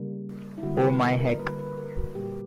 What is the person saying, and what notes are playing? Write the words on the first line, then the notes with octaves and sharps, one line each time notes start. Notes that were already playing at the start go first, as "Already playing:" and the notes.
Oh my Heck!
Already playing: C#3 G3 A#3
E4
D3 G3 A#3 F#4
B4
A#4
A#4
D3 G3 A#3 B4
B4
A#4
F#4
A#2 G3 A#3 G4